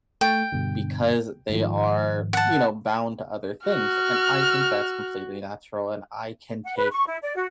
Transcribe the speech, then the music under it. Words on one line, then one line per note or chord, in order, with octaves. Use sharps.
because they are, you know, bound to other things. And I think that's completely natural, and I can take,
A3 G5 C#6 A6
G2 B2 D3
G#2 D#3 F3
F#5 A5
F#4 F6
F#5
B4
C#6
E4
D5
F#4